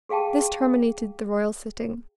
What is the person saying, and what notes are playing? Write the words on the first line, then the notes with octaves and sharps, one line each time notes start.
This terminated the royal sitting.
G4 G#4 F5 G5 A5